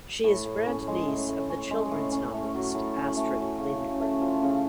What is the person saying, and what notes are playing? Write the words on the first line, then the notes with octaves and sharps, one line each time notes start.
She is grandniece of the children's novelist Astrid Lindgren.
A2
A2
C#4
G#3
A2
A2
C#4
G#3
A2
C#4
A3
F#3
A2
C#4
A3
F#3
C#3
C#3
A3
F3
C#3